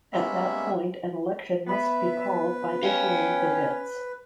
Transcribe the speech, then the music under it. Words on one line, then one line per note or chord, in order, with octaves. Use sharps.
At that point, an election must be called by issuing the writs.
G3 G#3 A#3 B3 C#4 E5
B3 B4 E5 B5
C#4 F5 G5